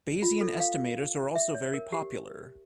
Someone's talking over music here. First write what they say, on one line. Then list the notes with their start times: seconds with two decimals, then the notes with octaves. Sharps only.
Bayesian estimators are also very popular.
0.22 F4
0.41 A4
0.60 F5
1.35 E5
1.55 C#5
1.74 A#4
1.92 G4